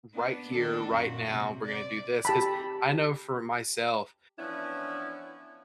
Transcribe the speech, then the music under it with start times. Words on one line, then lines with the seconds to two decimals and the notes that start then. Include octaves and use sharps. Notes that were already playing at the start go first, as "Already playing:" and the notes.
right here, right now, we're gonna do this," 'cause I know for myself,
0.15 B3 D4
0.52 D#3 D4 A4
0.91 F#2 A#2 F#4
1.29 C3
1.66 D5
2.25 G4 A5 B5
4.39 E3 F3 B3 C#4 D4 E4